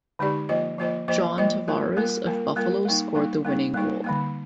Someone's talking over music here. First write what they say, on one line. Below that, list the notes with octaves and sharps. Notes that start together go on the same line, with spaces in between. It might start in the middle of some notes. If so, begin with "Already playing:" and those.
John Tavares of Buffalo scored the winning goal.
D3 G#3 D#4 G4 D5
F3 A#3 F4 C5 D#5
F3 A#3 F4 C5 D#5
F3 A#3 F4 C5 D#5
F3 A#3 F4 C5 D#5
G3 A#3 F4 A#4
G3 A#3 F4 A#4
G3 A#3 F4 A#4
G3 A#3 F4 A#4
G3 A#3 D#4
G3 A#3 D#4
G3 A#3 D#4
G3 A#3 D#4
D3 G3 A#3